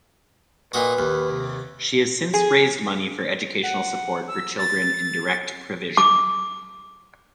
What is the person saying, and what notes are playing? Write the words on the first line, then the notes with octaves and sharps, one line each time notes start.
She has since raised money for educational support for children in direct provision.
A#2 D#4 F#4 B4
D#2
C3
G#4
F#5
E6
A6
D6